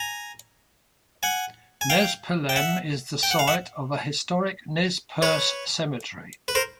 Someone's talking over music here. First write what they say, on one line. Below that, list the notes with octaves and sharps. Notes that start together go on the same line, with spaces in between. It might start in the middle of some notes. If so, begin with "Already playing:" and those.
Nespelem is the site of a historic Nez Perce cemetery.
Already playing: G#5 A#5
F#5 G#5
G#5
F5 G5
G5
E5 F#5
G5
F#5
F5
E5 F#5
B4 C#5
B4
A#4 C5